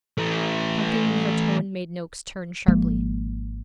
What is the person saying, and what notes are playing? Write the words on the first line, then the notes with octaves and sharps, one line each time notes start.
Something in her tone made Noakes turn sharply.
E3 A3
G#1 F3 G#3 A#3